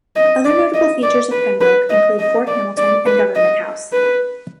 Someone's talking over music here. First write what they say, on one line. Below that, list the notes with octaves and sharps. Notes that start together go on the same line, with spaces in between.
Other notable features of Pembroke include Fort Hamilton and Government House.
D#5
D5
D#5
D5
B4
B4
D#5
D#5
D5
D5
B4
D#5
B4